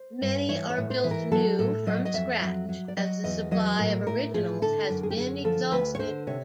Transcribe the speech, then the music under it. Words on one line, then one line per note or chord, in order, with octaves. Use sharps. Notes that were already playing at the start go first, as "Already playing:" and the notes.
Many are built new from scratch, as the supply of originals has been exhausted.
Already playing: C5
G2
E3 C#5
C#5
A2
C5
E3
A#4
F#3 A4
A2 A4
F#3 D#5
D#5
F2 E5
F#3
F#3
D5
F#3 D#5
E2 D#5
F#3 D#5
A2 A#4
A2 A#4
F3 G#4
D3 A4
F#2
G#4
G4
D3 G#4
F3 A4
D2 B4
C#5
D3 C5
C3 C#5